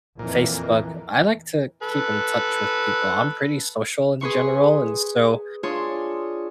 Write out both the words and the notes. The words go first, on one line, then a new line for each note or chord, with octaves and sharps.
Facebook. I like to keep in touch with people. I'm pretty social in general, and so,
F2 A#2 E3
A4 B4
G#4 B4 C6 C#6
D4 F4 G#4 C#5 C6